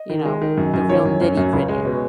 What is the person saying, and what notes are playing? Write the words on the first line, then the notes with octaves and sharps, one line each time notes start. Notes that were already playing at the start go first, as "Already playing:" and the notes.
you know, the real nitty-gritty?
Already playing: D#5
D#3
G#3
D#3
F#2
F#2
D#3 C#5
F#2
F#2
F#2
C#2
G#3
B2